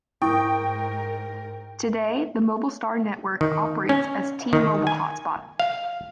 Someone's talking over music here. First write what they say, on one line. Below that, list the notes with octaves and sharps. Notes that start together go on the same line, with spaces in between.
Today, the MobileStar Network operates as T-Mobile Hotspot.
G#2 E4 A#4 G5 C#6 D#6
D#3
C#4
D#3
G#5
F5